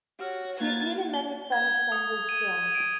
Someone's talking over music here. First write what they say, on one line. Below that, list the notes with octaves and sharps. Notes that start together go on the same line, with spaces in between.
She appeared in many Spanish language films.
F#4 G4 C#5 F6
A#3 F4 B4 G#6 A6
G7
G#6
D#6
D#7
D7